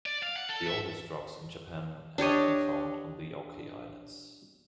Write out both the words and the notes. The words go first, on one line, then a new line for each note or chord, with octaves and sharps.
The oldest rocks in Japan have been found on the Oki Islands.
D5
F5
F#5
A4
E5
D4 G4 C#5 D#5